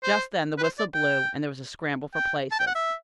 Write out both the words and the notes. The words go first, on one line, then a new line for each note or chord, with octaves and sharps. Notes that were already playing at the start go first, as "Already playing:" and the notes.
Just then the whistle blew, and there was a scramble for places.
C5
B4
C5
D5
G5
G5
A5
G5
F#5
E5